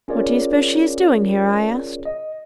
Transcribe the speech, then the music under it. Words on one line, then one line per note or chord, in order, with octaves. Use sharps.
"What do you suppose she is doing here?" I asked.
C#4 F4 G#4 A#4 C#5 D5
D#5